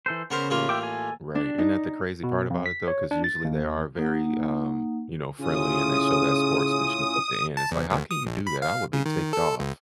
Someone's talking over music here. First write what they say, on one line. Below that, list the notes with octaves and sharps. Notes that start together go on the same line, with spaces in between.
Right, ain't that the crazy part about it, though? 'Cause usually they are very, um, you know, friendly, and they show that sportsmanship at the end, it's like, "How can you do that?" I would be ticked off.
E3 A4 C5
C#3 B3 A#4 C5
A1 A#3 F4
E5 G5 D6
A4 G#5
D4
D#4
B2
F2
B6
C#5
D4
A6
D#2
A#3 D#4 F#5
A2 C#3 C#4 F4 D#6
A5
E2
D2
D#6
A#1
B5
F5
C#3
D#3
A4
C#2